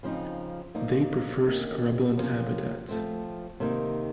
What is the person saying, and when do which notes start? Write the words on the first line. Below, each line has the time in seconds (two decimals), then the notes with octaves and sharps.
They prefer scrubland habitats.
0.03 C#3 F3 C4 D#4
0.75 A#2 F3 A#3 D#4
1.46 D#3 A#3 C#4
2.17 C3 F3 A#3 C#4
2.89 F3 A3 C4
3.60 C3 D#3 A#3 D#4